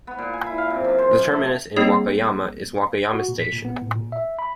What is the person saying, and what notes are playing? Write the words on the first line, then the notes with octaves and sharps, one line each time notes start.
The terminus in Wakayama is Wakayama Station.
B3
A#2
G#5
E4
F5
C3
F#2
C5
F#2
A3
G3 A#3 C4 D#4 G#4 C#5
F#4
A#2
B6
A#2
B3
A2
A#2
E5
B5